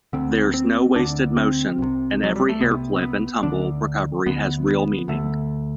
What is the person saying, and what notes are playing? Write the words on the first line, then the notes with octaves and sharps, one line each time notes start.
There's no wasted motion, and every hair flip and tumble recovery has real meaning.
D2 D3 C4
C4
D2 D3 D4
C4
C2 C3
F#3
G3
A3
C2 C3 B3
C4
B3
D2 D3 D4
D2 D3 B3
B3
D2 D3 A3